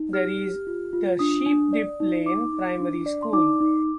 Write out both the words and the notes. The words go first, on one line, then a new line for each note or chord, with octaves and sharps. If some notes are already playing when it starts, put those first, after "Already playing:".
There is the Sheep Dip Lane primary school.
Already playing: D#4
G4 F6
G4
F4
F4
D4 D#6
D4
D5
D#4
D#4 D6
D#4
D4
D5
C6
D#4 D6
D#4